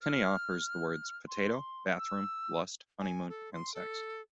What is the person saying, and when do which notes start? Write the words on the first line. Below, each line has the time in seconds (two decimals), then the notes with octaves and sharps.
Penny offers the words potato, bathroom, lust, honeymoon, and sex.
0.01 F6
1.28 C6
1.98 E6
3.00 G#5
3.29 A4
3.53 C6
3.74 A4